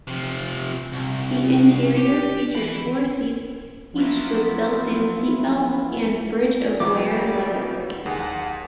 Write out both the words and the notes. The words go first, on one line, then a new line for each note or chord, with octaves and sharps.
The interior featured four seats each with built-in seatbelts and Bridge of Weir leather.
C3 F3
C2
G4
E3 B5
F3 F#3 A#3 B3 E4 F4
C#3 E3 F#3 G3 D6
D#2 G#4 F#5